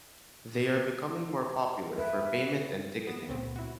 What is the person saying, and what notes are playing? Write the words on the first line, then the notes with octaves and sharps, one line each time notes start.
They are becoming more popular for payment and ticketing.
B4 E5
B3 D#6 E7
C#2 A#2 C#3 A3 B3 C4
E4 F#4